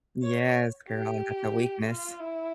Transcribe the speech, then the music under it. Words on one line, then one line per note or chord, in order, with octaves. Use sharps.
Yes, girl, that's a weakness.
C#5
G4
F4
E4